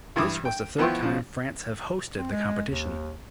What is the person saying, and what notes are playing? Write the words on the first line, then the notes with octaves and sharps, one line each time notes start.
This was the third time France have hosted the competition.
G2 E3 E4 D6 D#6
G5
F3 B3 E4 G5 C6 C#6
C#3 F3
C4
G#3
D#2